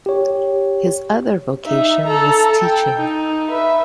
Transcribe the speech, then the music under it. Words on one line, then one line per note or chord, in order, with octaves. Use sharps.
His other vocation was teaching.
G4 C#5
D#4 E5
A4 A#5
G5
D#4
B4 E5